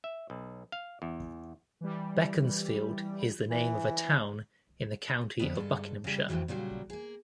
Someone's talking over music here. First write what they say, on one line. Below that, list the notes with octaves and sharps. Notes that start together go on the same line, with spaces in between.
Beaconsfield is the name of a town in the county of Buckinghamshire.
E5
B1
F5
E2
E3 G3
E3
F2 D3 F3 B3
G2 G#3 A4
C#3 G3
F2 A2 D#3 E3 F#3
A#2 C#3 F#3 G3
A#3 G#4